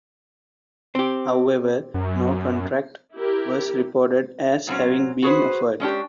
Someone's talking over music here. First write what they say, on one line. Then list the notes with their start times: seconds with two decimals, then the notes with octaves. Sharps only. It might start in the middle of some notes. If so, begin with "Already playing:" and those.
However, no contract was reported as having been offered.
0.95 C4 G4
1.94 F#2
3.15 E4 G4 A#4
4.67 A#2 F#3 C4 C#4
5.23 F#4 G#4 B4 C5
5.80 G#3 C#4 D4 G4